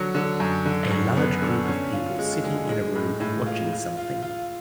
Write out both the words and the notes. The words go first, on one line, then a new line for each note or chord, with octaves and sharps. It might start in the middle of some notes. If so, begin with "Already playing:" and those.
A large group of people sitting in a room and watching something.
Already playing: D3 F#3
D3
F#2
D3
F#2
B3
D3
C#4
F4
G#3
G#3
G#3
A2
A2
F4
F4
F4
F4